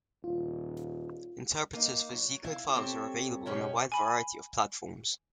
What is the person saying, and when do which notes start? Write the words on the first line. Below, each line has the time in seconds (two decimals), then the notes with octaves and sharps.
Interpreters for Z-code files are available on a wide variety of platforms.
0.24 D#1 F4
1.73 A#3 D#4
2.12 F#3
2.44 E4 F5
2.74 C4 G4 A4 C#5
3.46 F#2 B2 C#4 G4 C#5
3.92 G#5 B5